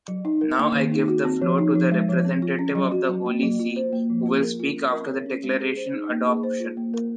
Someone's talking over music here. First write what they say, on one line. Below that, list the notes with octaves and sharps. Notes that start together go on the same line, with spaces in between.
Now I give the floor to the representative of the Holy See, who will speak after the Declaration adoption.
F#3
D#4
A#4
A#3
D#3
D#4
F#4
C4
F3
D#4
F3
G#3
F3
C4
F4
C#4
F#3
F#4
F#3
A#3
F#3
F4
C5
A#3
F3
F4
A#4
F4
C#4
A#4
C#5
C#4
G#3
G#4
C5
D#4
A#3
G#4
C5
F4
A#3
A#4